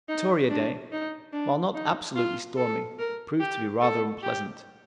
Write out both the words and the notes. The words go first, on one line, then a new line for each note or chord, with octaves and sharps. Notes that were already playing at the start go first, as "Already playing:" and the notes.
Victoria Day, while not absolutely stormy, proved to be rather unpleasant.
D#4
D4
D#4
D4
D#4
F4
A4
A#4
G4
A4
G4